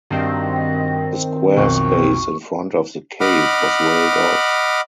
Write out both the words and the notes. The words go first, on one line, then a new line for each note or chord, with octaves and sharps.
A square space in front of the cave was railed off.
G2 D#3 C4 F#4 D#5
B1 F2 B2 C#6
D#5 F#5 B5 D6 F6